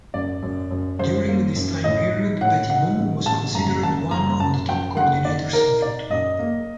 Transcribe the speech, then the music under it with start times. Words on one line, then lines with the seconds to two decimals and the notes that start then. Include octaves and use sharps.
During this time period, Petitbon was considered one of the top coordinators in football.
0.14 F#2 D5
0.43 F#2
0.71 F#2
0.99 F#2 C5
1.28 A#3
1.56 F#2
1.84 A2 D#5
2.13 D#4
2.41 A2 F#5
2.70 D#4 F#5
2.98 A1
3.26 A1 A5
3.55 F#1 A#5
3.83 F#2 A5
4.11 F#1 A#5
4.40 F#2 A5
4.68 F#2 G5
4.96 F#1 F#5
5.25 D#4 D5
5.53 D#4 A#4
5.82 D#4 D5
6.10 F#2 D#5
6.39 A#3